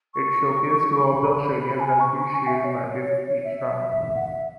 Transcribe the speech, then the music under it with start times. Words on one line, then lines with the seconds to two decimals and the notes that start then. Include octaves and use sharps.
It showcased two of the Australian Rugby Shield matches each round.
0.14 C#6
0.97 C#6
1.01 B5
1.80 G#5
2.00 C#6
2.20 C#6
2.34 G#5
2.47 E5
2.61 E5
2.65 C#5
3.44 E5
4.15 F#5
4.27 E5